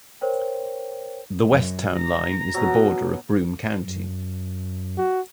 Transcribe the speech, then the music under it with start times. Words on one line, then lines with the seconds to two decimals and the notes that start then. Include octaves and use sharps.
The west town line is the border of Broome County.
0.21 A#4 C5 C#5 G5
1.50 F#2
1.97 A#5
2.54 B2 F#3 F#4
3.85 F#2
4.98 F#4